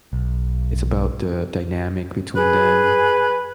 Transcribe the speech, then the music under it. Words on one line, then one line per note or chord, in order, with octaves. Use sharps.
it's about the dynamic between them,
B1
G#4 B4